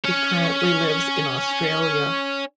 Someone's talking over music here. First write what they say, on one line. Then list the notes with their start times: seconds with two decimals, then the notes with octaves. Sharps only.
He currently lives in Australia.
0.05 C#4 C#5